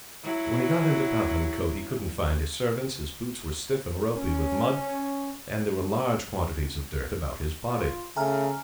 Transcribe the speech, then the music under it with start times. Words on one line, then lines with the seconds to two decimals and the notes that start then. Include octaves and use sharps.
When he got into Pathankote, he couldn't find his servants, his boots were stiff and ropy with mud, and there were large quantities of dirt about his body.
0.22 F#3 E4
4.15 C#4
7.70 F4
8.17 C#3 A3 G#5 A#5 F6